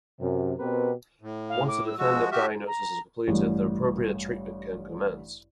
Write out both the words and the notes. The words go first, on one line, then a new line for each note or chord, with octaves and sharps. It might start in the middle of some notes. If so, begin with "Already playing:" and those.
Once a definitive diagnosis is completed the appropriate treatment can commence.
F#2 C3
B2 B3 C4 G4 A#4 B4
A2
F5
D6
E6
F3 G#3 F#4 E6
F#4 G4 E5 F6
A#5
A1 G2